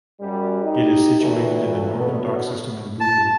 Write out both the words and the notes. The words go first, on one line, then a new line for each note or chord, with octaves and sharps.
It is situated in the northern dock system in Bootle.
F#2 G3
D#4 G4
C#2 A#2 E3 A3 F#4 B4
B2 D3 F#3 A3 B3
A5